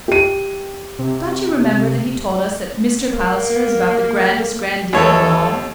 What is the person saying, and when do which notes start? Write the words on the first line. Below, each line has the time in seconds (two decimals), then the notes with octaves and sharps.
Don't you remember that he told us that Mr. Palliser is about the grandest grandee of them all.
0.08 G4 D#7
0.99 C3
3.13 A#3
4.93 D#2 E3 A4 C#5